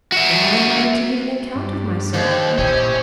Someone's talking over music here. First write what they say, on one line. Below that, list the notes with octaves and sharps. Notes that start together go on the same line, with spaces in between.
Why am I to give an account of myself?
F#4 E5
G2
D#2 C5
A#2 E4 G4 C#5 D#5 G#5